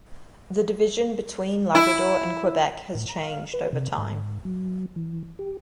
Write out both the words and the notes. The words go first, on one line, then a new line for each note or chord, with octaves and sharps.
The division between Labrador and Quebec has changed over time.
E4
A2
A#5
F5
B4
C3
G#2
F#3
E3
G4